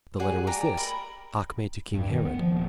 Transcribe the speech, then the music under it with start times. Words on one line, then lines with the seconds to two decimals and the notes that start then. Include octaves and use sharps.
The letter was this: 'Acme to king Herod.
0.20 G3 G4 G#4 F#5 G#5
0.47 D5 G5 A#5
0.77 A#4 B5
1.94 G2
2.09 D#3
2.25 B3
2.39 F3
2.52 D#1